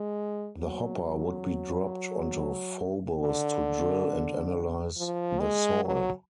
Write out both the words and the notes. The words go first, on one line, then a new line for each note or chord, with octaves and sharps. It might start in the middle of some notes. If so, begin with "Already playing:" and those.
The hopper would be dropped onto Phobos to drill and analyze the soil.
Already playing: G#3
F#3
F#3
D3
F3
G#3
F#3